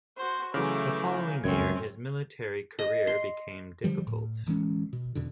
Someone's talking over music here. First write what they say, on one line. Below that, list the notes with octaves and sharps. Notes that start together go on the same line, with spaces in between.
The following year his military career became difficult.
F#4 C5
C#3 E3 F#3 A3 D6
C#2 F#2 C4 C#4 G#6
D#5
C6
D3 F3 G3
A2
D1 E3 G#3 C#4
B2
E2 B2 D3